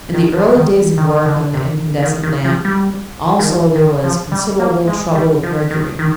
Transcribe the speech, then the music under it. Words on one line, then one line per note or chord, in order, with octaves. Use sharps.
In the early days of work on the incandescent lamp, also, there was considerable trouble with mercury.
D#3
F3
D#3
D#3
D3
C3
D#3
D#3
F3
G3
D#3
F3
D#3
F3
G3
A#3
G#3
G3
F3
D#3
D#3